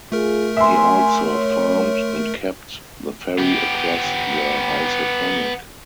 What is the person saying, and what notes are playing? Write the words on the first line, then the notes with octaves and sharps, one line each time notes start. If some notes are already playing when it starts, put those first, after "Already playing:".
He also farmed, and kept the ferry across the Housatonic.
A3 F4 G#4 A#4
E5 G#5 C6
C#5
B3 G4